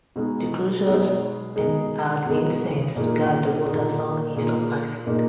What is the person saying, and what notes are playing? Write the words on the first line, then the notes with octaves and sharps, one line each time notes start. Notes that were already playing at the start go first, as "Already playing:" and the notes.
The cruisers and had been sent to guard the waters south-east of Iceland.
B2 G#3 D#4 G#4
B2 G#3 D#4 G#4
B2 G#3 D#4 G#4
B2 G#3 D#4 G#4
A#2 A#3 D#4 G#4
A#2 A#3 D#4 G#4
A#2 A#3 D#4 G#4
A#2 A#3 D#4 G#4